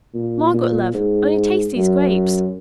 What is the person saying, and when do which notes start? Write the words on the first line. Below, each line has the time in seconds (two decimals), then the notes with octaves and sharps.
Margaret love, only taste these grapes!
0.14 A#2
0.54 A#2
0.94 G#2
1.75 F#2